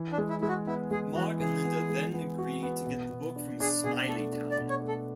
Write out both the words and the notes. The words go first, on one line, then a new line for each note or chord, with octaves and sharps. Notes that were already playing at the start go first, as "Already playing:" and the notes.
Mark and Linda then agree to get the book from Smiley Town.
Already playing: E3
D4
G#3
E4
G#3 E4
F#4
B3 E4
G#3 G#4
E3 F#4
E3 G#4
B3
G#3
B3
F#4
B3
B2
B2
D4
D4 G#4
B2 G#4
A3 A4
D4
D5
B2
C#5
A3
A4